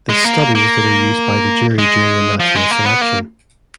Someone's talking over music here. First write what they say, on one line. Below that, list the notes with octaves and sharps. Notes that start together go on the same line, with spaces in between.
This study was later used by the jury during the national selection.
G#3
A#3
A#3
G#3
F3
G#3
A#3
B3
A#3